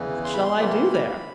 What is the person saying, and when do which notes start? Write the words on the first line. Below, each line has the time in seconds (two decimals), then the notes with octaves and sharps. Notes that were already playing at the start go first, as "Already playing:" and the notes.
"What shall I do there?"
Already playing: E2 C#3 E3
0.24 C6
0.34 B5
0.43 C6
0.57 C3 E3 G3 A#3
0.90 B5